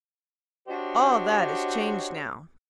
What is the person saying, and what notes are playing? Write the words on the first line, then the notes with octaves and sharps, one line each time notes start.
All that is changed now.
D4 F#4 G4 C5 C#5 D#5